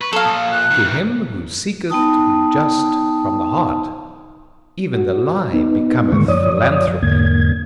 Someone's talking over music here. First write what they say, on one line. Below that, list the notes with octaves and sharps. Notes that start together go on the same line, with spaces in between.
To him who seeketh to be just from the heart, even the lie becometh philanthropy.
B4 C#6
F#3 A4 F5
A#2 F3 D#6
F#6
D#3 E3
B3 D#4 G5 A5 D#6
F#4
B3 D#4
G#2 D3 D#3 G#3 A#3 C#6
F#2 F3 C#5 D5 D#6
E2 G#2 D3 A#3 G#6